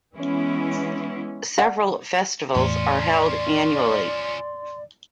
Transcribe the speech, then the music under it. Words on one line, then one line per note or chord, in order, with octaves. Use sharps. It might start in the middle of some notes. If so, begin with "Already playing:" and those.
Several festivals are held annually.
E3 G#3 B3 C#4 E4
D5 F#5
E2 A2 C#4 F4 D5 C6